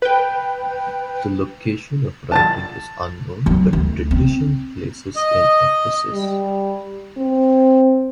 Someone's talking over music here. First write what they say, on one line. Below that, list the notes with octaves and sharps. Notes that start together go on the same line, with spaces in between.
The location of writing is unknown, but tradition places it in Ephesus.
B4 G5
A5 A6
D#3 F#3
D2
C4
D#5
G3
C4